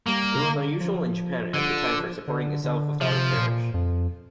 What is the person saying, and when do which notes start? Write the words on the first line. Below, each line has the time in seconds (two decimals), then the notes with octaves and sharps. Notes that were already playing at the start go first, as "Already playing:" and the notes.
It was unusual in Japan at the time for supporting itself without a parish.
0.07 G3 A#3
0.35 C3
0.44 D3
0.81 F3
1.54 D3
2.28 D3
2.64 D3
3.01 C3 F3
3.37 A#2
3.74 F2